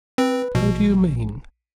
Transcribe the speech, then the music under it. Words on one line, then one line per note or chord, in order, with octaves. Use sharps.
"How do you mean?"
C4 B4
A#1 B2